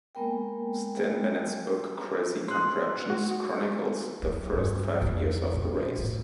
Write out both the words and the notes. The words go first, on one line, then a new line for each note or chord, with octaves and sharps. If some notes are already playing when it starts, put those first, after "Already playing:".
Stan Bennett's book "Crazy Contraptions" chronicles the first five years of the race.
G#3 A#3 B3 A#4 G5
C6 F#6
F#4
F#3
G2
F2
A#2
A2